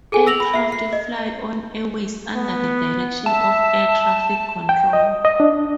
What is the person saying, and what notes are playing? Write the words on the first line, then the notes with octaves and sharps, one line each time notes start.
Aircraft fly on airways under the direction of air traffic control.
G#4 A4 G#5
E6 A#6 F7 F#7
B5
E5 C7
C7
D#5
B3
E5 A5
G5
D#5
D#5
D4